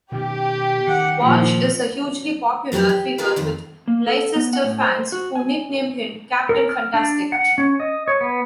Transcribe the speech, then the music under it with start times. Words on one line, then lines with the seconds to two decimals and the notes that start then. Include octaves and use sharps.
Walsh is a hugely popular figure with Leicester fans, who nicknamed him "Captain Fantastic".
0.12 B2 D#3 B3 G4
0.87 D#3 F#5
1.20 A#2 F3
2.72 F3 F#3 G4 A#4 B4
2.89 G4
3.18 F4 G4 G#4 A#4 B4 F5
3.36 F2 D#3 F4
3.88 A#3
4.07 A4
4.36 B3
4.53 F#5
4.64 A2
4.81 C5
5.12 F#4
5.35 G#5
6.49 A#4
6.69 F6
6.94 D4
7.32 F#5
7.58 C#4
7.80 D#5
8.08 C#5
8.21 B3